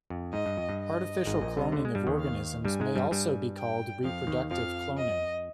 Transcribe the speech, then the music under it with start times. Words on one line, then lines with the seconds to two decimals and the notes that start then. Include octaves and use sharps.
Artificial cloning of organisms may also be called "reproductive cloning".
0.10 F2
0.33 G#2 D#5
0.46 G2
0.57 F2
0.69 G2
0.79 D#5
1.25 G#1 G#2
1.41 A#1 A#2
1.57 C2 C3
1.72 D2 D3
1.85 G#3
1.95 G2 G3
2.07 D#2 D#3
2.19 F5
2.65 G2 G3 G#5
2.80 G#2 G#3
2.95 G2 G3
3.11 G2 G3
3.58 G5
4.04 F2 F3 F5
4.27 D#2 D#3
4.51 F2 F3 F5
4.97 D#5